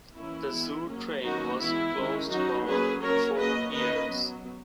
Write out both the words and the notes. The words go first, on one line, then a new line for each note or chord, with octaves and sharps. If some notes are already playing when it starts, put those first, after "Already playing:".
The zoo train was closed for four years.
E3 A#3 C#4 E4
E3 G#3 B3
F#3 A#3 C#4
D#3 F#3 A#3 C#4 D#4 F#4
E3 G#3 B3 E4
D#3 G#3 C#4
F#3 C#4 D#4 F#4
F#3 A#3 C#4 G#4 B4
F#3 A#3 C#4 A#4 C#5
F#3 A#3 C#4 B4 D#5
D#3 A#3 C#4 B4 D#5
F#3 B3